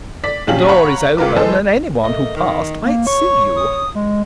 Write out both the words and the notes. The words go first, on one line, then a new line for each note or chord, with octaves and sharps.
"The door is open, and any one who passed might see you."
D5 B6
A#1 C#4 F4 G4 F#7
C#5 F5 F#5 A#5 B5 C#6
C#2 F4 A#4 B4 D6
E3 G#3 G#4 A4 B4 C5
A3 A#3 D#5
D#3
A#3
C#5 C#6
D#6
G#3